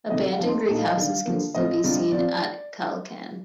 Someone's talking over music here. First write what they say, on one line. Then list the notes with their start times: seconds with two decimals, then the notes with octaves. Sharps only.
Abandoned Greek houses can still be seen at Kalkan.
0.10 C3 D#3 A3 D#5
0.20 D5
0.30 F5
0.39 F3 C4 D#4 A5
0.49 C6
0.59 A#5
0.68 A#2 A3 D#4 A5
0.78 F5
0.88 D#5
0.96 D#3 G3 D4 F5
1.25 D3 F3 A#3
1.55 A2 F3 C4 F4 D#5
1.84 C3 G3 D4 F4
2.12 F3 C4 F4 D5